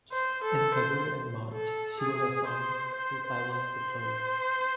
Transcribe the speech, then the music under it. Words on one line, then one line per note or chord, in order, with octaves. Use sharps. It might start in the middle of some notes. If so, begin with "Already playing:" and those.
In February and March, she was assigned to Taiwan patrol.
C5
A4
C5
A4
G#4
C5
C5
C5
C5